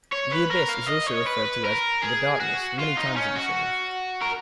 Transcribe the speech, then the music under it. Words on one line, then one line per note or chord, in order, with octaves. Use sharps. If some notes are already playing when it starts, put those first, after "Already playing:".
The Abyss is also referred to as "the Darkness" many times in the series.
C#5
B4
A#4
F5
D#5
C#5
B4
A#4
G#4
F#4
F4
D#4
C#4
F#4
A#4